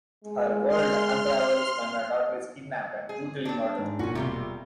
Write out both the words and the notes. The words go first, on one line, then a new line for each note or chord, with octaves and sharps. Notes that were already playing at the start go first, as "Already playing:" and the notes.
Her world unravels when her daughter is kidnapped and brutally murdered.
G#3
C6 F6
G#4
C4 D4
G#2
E1 A#2 C#4 F#4
C3 G3 F4